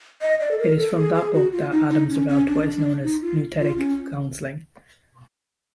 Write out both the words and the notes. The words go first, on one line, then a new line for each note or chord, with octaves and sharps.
It is from that book that Adams developed what is known as nouthetic counseling.
D#5
D5
A4
A#4
A4
G#4
G#4
F#4
F4
D#4
D#4
C#4
C#4
D4
D4
D#4
F4
F4
C#4